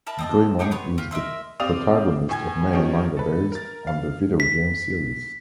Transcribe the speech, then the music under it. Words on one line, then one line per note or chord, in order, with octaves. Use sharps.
Goemon is the protagonist of many manga based on the videogame series.
A#4 E5 A5 B5
C4 D#5 A5
D4 D#4 G4 G#4
B3 B4 C#5 C6
F4 G4
A#4 D#5 E5 C6
C4 G4 D5 F5 D#6 F7
A2 G#5 G#6
D#3 F3 C#4 G4
A4 B4
A#4 A6
F5
B6